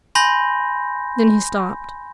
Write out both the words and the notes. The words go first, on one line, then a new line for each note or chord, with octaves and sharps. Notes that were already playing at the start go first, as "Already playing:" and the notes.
Then he stopped.
G#5 B5 C6 G6 A#6